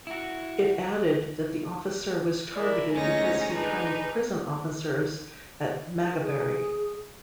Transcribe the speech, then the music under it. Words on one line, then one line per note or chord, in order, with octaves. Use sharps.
It added that the officer was targeted because he trained prison officers at Maghaberry.
E4 F#4
E4 A#4 D5
D2 G#3 C#4 D#4 G#5 A#6
D4 D#4 G#4 B4
G#4